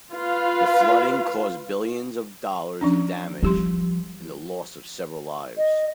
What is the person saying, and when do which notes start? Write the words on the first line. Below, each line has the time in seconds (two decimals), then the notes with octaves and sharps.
The flooding caused billions of dollars in damage and the loss of several lives.
0.13 F4 B4 F5
2.81 F3 C#4 D4
3.43 F3 G3 G4 C6
5.58 D#5